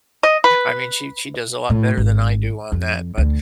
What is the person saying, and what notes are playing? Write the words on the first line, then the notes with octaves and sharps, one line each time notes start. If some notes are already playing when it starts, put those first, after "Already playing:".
I mean, she she does a lot better than I do on that, but,
D#5
B4
A2
G#1
F2
D2